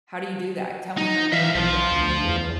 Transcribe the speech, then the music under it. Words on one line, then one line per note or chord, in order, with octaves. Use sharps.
How do you do that? Tell me how you would do that.
D#4
E3 E5 F5
B1 F3 F4
D2
E2